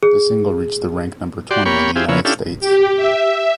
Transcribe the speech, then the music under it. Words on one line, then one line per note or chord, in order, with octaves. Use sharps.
The single reached the rank number twenty in the United States.
G#4
F#4 G4 D5 C6
A#3 G4 C#5 B5 C#6
C4 E4 F4 G4 G#4
C#3 F3 A#3 B3 E4 C#5
C#4 D4 E4 F4 G4 A4
G4
E5